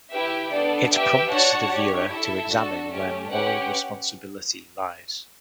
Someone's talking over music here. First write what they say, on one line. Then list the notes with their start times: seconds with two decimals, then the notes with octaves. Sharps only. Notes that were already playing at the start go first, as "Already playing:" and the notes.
It prompts the viewer to examine where moral responsibility lies.
0.11 E4 G4 B4 E5 G5
0.51 B3 D4 A4 D5
0.90 G4 B4 E5 G5
1.30 D4 F#4 C#5 F#5 A5
1.71 D4 G4 C#5
2.09 E4 A4 E5
2.50 D4 F#4 A4
2.89 A3 C#4 G4
3.30 C#4 G4 B4 F#5